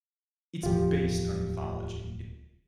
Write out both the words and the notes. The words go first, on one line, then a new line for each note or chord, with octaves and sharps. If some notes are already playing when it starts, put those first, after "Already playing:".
It's based on mythology, it's
D1 E2 F3 F4 G4